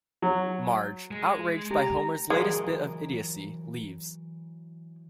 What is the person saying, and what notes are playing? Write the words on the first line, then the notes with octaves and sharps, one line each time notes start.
Marge, outraged by Homer's latest bit of idiocy, leaves.
F#3
G#3
G4 A#5
E3 F#3 G#3 A#4